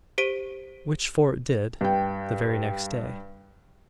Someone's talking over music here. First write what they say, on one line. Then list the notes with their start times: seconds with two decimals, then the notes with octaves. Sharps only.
Which Fort did, the very next day.
0.18 G4 C5 B6 D7 D#7
1.81 G2 G5